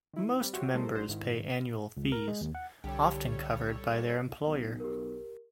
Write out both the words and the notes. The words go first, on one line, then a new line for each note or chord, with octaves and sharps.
Most members pay annual fees, often covered by their employer.
D#3 E4
G3 C4
F#4 G4 C5 C#5 E5
G3 A3 E4 A4 A#4 C5
G#1 F#3 D4 C5
G#2 D#3 E4
C#2
A#4
G#3
D#2
F#5
C2 D3 G3 G4 A4 C#5
B1
G4 A#4